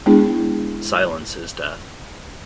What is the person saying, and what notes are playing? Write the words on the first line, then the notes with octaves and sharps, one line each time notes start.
Silence is death.
G#3 B3 D4 E4 G#4